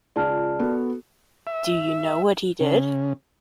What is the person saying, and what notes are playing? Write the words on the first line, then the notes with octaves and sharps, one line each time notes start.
Do you know what he did?
C#2 F4 G#4 D5 A5 F6
B3 F#4 A4
E5
C#3